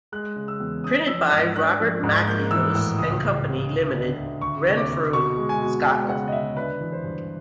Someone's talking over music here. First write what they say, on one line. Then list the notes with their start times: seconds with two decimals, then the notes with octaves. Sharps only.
Printed by Robert MacLehose and Company Limited, Renfrew, Scotland.
0.12 G#3 F#6
0.36 C#3
0.48 E6
0.60 E2
0.84 C#4 D#6
1.08 F3 E6
1.32 G#2 F6
1.56 D4 F#6
1.80 F3
2.03 G#2
2.27 A#3 G6
2.51 E3 E6
2.75 A2 E6
2.99 C#2 D#6
3.23 C#3
3.46 C#2
3.70 D2
3.94 D3
4.18 D2
4.42 D2 C#6
4.66 C3
4.78 D6
4.89 D2
5.13 B2 C#6
5.38 G#3
5.49 G#5
5.61 B2
5.85 G#3 G5
6.08 C#3 F#5
6.28 D#5
6.32 D2 E5
6.57 D4 B4
6.80 E3
6.92 C5
7.04 G2